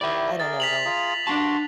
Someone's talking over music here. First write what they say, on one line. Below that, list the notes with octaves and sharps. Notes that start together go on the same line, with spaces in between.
I don't know.
D#3 E4 G4 D5 E5
G#4 A#4 A6
B6 F7 F#7
F4 G#4 A#5
G2 D4 F#4 A5 C6